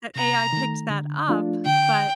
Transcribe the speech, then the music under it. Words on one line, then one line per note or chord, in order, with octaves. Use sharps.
that AI picked that up, but,
C3 A#5
D#3 A3
D3
F3 A3 D4 F4
D3 G5